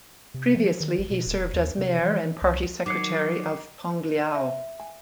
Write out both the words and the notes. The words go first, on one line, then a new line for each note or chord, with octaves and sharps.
Previously he served as mayor and party secretary of Tongliao.
C3
F3
D#3
G#1
B2
D#1
E1
D#2
C3
E3
C2
D#3 F#3 D6 C7 C#7
E5
G#5